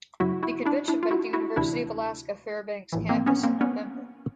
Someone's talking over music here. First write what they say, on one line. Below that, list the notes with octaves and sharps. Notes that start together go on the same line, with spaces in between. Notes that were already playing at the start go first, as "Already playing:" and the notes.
The convention met at the University of Alaska Fairbanks campus in November.
F#2 C#3 F#3 E4 F#4
E4 F#4
D4 E4
D4 E4
F4
E4 F#4
E4 F#4
D2 C3 E3 D4 E4
A#1 A2 E3
A#3 C4
B3 C#4
A#3 C4
B3 C#4